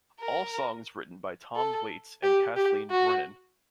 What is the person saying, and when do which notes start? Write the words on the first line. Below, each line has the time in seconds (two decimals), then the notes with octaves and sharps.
All songs written by Tom Waits and Kathleen Brennan.
0.20 A#4
1.56 A4
2.23 G4
2.56 G4
2.91 F#4